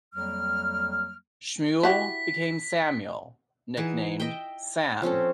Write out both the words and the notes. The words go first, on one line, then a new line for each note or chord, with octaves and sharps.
Schmuel became Samuel, nicknamed Sam.
F2 F#3 G3 A#3 F6
E4 F#4 G4 B6
E3 D#4 G#4 F#5
D#5 E5 G5
F3 C4 C#4 A4